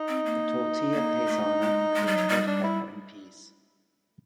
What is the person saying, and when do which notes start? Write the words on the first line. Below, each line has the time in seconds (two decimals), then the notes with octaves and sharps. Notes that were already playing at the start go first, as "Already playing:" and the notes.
The "tortilla paisana" includes red pepper and peas.
Already playing: D#4
0.08 C4
0.26 A#3
0.93 A#3
1.28 A3
1.61 G#3
1.96 G#3
2.07 G3
2.17 F#3
2.29 G3 D#4
2.47 D4
2.64 E4